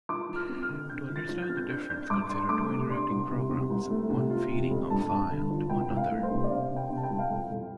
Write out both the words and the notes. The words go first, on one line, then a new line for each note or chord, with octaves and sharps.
To understand the difference, consider two interacting programs, one feeding a file to another.
F3 D6
F3
F6
C4
F6
D3
D3 G6
F3
A6
F3
G6
C4 F6
G6
D4 G6
D4 G6
G2 D6
D4 C6
A3 D6
C3
D4 C6
C2
C3
C3
C2
A3
C3
F4
C3
F2
G2 A5
G2
D3
F3
C2 G5
C2
F5
A3
C5
C3
D5
C3 F5
C3
G5
C3
A5
G5
C2
F5
F2 G5
F2